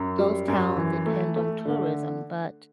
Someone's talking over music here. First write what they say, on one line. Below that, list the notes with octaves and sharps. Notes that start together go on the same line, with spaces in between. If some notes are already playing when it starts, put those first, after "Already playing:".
those towns depend on tourism, but,
Already playing: F#2
G3
F#2
E3
A3
A3
D3